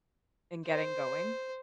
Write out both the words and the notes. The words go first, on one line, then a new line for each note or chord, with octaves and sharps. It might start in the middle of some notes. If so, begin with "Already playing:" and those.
and getting going.
C5